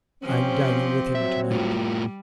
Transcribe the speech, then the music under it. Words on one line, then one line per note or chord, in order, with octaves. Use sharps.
I'm dining with him to-night.'
F3 C4 C#4 G4
F#3 E5
A2 G3 F4